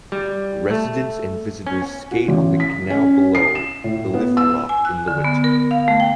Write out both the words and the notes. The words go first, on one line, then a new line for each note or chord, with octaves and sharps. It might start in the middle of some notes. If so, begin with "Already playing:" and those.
Residents and visitors skate on the canal below the lift lock in the winter.
G3
A3
C#4
F#4
A1
B6
C#4
C7
E7
A2
B3
E6
G#5
F#6
D3
B3
A#4
F5
A3
G5